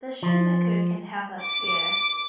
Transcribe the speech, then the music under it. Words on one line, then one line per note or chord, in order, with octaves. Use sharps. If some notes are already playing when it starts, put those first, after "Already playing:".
The shoemaker can help us here.
F3
D6